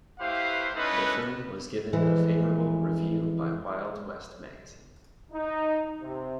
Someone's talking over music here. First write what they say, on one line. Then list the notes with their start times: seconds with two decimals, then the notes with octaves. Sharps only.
The film was given a favorable review by Wild West Magazine.
0.20 A3 E4 G4 B4 C5 F5
0.75 C#4 D#4 E4 A4 B4
1.93 F2 E3 G#3
5.32 D#4
6.01 C3